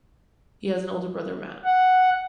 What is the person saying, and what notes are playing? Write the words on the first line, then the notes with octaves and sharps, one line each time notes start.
He has an older brother, Matt.
F#5